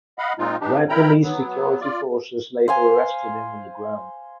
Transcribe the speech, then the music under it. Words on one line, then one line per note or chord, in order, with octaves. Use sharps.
Vietnamese security forces later arrested him on the ground.
D#5 F5 F#5 B5
A#2 G#3 C4 D#4 F4
E3 D4 D#4 G4
E4 A#4 G5 A#5 B5
F#3 B3
F4 D5
C5 F5 G#5